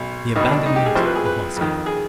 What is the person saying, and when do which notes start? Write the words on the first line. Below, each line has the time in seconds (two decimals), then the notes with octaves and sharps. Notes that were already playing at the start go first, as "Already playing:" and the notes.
"The abandonment of Moscow."
Already playing: B1 B2
0.36 C2 B2 D#4
0.51 D4
0.66 D#4
0.76 G4
0.86 G#4
0.95 C2 C3 F3 C5
1.05 B4
1.15 G#4
1.26 B4
1.56 F2 D#3
1.86 G#4